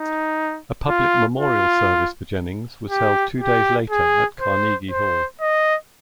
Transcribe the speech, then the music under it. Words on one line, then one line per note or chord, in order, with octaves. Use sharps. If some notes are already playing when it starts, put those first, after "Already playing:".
A public memorial service for Jennings was held two days later at Carnegie Hall.
Already playing: D#4
F4
F4
G4
G4
G#4
C5
C5
D#5